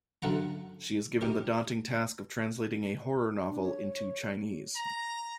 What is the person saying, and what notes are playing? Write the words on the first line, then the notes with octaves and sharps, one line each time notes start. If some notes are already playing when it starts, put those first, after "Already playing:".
She is given the daunting task of translating a horror novel into Chinese.
F#2 D3 F4 F#5 A#5
D#4 G4 A#4
D4
C#5
C#5
A#5